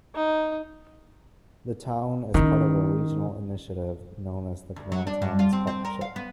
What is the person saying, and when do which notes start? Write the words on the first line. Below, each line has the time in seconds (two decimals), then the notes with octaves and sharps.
The town is part of a regional initiative known as the Canal Towns Partnership.
0.15 D#4
2.34 D#3 C#4 E4
4.76 D2
4.92 F#3
5.07 D4
5.22 G2
5.39 F4
5.53 C4
5.67 C4
5.85 A#4
6.01 F5
6.16 B3